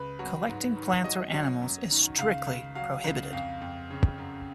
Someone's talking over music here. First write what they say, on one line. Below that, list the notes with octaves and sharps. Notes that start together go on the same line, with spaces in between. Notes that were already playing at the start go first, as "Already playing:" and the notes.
Collecting plants or animals is strictly prohibited.
Already playing: C#2 B4
F#3
G#2
D#3
F#3 D#5
F#3
F#2
D#3
C#2 F5
C#2
F#3 F5
C#2
F2 F5
F2
C#3
F#2